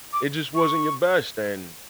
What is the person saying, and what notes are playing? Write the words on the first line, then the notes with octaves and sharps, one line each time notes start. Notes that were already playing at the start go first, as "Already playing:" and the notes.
it just wasn't your best. And
D6
C#6